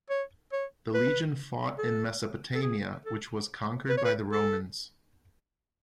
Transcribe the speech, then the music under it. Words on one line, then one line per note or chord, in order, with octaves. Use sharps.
The legion fought in Mesopotamia, which was conquered by the Romans.
C#5
C#5
B4
A4
A4
G#4
A4
B4
C#5
B4
A4